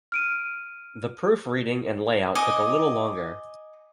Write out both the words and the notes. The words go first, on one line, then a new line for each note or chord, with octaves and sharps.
The proofreading and layout took a little longer.
F6 D7 D#7
D#5 G#5 D6